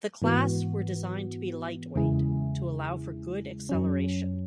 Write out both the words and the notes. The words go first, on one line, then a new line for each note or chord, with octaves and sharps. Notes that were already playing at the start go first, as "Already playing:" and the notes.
The class were designed to be lightweight to allow for good acceleration.
G#2 E3 B3 F#4
E2 C#3 G#3 E4 G#4
F#2 F#3 C#4